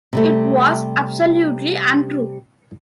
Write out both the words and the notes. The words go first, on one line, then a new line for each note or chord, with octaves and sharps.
It was absolutely untrue?
C3 G3 A3